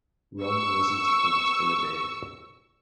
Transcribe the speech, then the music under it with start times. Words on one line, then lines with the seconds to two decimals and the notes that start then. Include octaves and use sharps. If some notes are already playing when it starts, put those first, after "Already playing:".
Rome wasn't built in a day.
0.43 C#6 E6